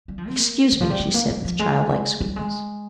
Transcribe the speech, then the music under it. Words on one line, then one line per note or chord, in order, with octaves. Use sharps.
"Excuse me," she said, with childlike sweetness.
G3
F3
C4
A#3
D#3
F3
G3
G#3
A#3
G3
F3
G#3
G3
G#3